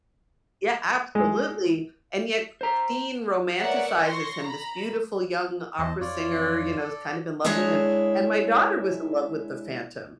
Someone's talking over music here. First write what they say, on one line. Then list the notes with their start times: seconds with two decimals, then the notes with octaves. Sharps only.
Yeah, absolutely! And yet Christine romanticizes him, this beautiful young opera singer, you know, is kind of in love with him. And my daughter was in love with the Phantom,
1.15 G#3
2.61 C5 A#5
3.58 A#4 B4 C#5 D5 E5 F#5
4.04 C6 C#6 A#6
4.47 A#5 B5
5.79 E2 C5 D#5 A5
6.01 F2 F4 C#5 D5
6.80 A4 D5
7.45 G#3 D4 E4 G#4 C#5 D#5